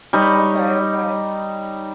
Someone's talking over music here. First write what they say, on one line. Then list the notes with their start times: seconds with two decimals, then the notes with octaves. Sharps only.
Okay, okay.
0.13 G3 D#4 C#5